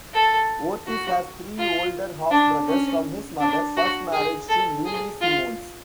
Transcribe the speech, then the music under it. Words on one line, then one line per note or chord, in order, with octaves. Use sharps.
Ortiz has three older half-brothers from his mother first marriage to Louie Simmons.
A4
F#4
F4
D4
C#4
D4
F#4
G#4
A4
G#4
F4